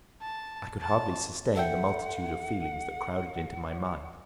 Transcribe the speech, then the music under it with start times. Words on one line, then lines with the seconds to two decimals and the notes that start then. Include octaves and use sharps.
I could hardly sustain the multitude of feelings that crowded into my mind.
0.21 A5
0.81 A5
1.56 A4 E5 F#5 G5